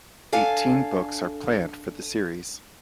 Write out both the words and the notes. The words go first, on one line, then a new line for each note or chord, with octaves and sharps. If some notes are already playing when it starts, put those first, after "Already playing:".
Eighteen books are planned for the series.
D4 A4 F5 G#5